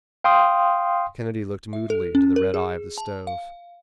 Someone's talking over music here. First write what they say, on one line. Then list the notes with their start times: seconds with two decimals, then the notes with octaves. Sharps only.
Kennedy looked moodily into the red eye of the stove.
0.24 F5 G5 C6 D#6
1.73 E5
1.90 A4
2.15 C#4
2.36 A#4
2.54 G#4
2.98 A5
3.27 F5